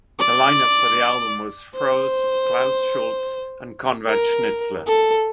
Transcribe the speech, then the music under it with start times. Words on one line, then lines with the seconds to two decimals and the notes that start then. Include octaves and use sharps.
The line-up for the album was Froese, Klaus Schulze, and Conrad Schnitzler.
0.20 D5
1.76 C5
4.09 A#4
4.87 A4